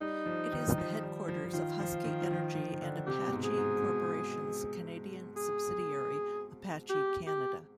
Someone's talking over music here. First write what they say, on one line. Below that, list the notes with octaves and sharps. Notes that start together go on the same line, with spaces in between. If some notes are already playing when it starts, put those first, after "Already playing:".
It is the headquarters of Husky Energy and Apache Corporation's Canadian subsidiary, Apache Canada.
G3 D#4
F3
D#3
F3
G3
F3
F3
D#3 F4
F3
D#3
F3
D#3
F3
D#3
D3
C3 G4
B2
G#2
G#4
G#2
G#2
B2
G#4
G4
G4